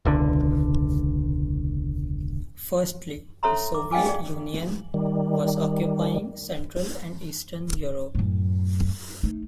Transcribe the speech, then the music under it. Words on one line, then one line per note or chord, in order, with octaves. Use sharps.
Firstly, the Soviet Union was occupying Central and Eastern Europe.
E1 C#2 D3
C#4 A4 C#5 E5 A#5 C6
D6
D#5 F5 G5 G#5 D6
G#4 D5
D#3 G3
F#2 A2
A3 D#4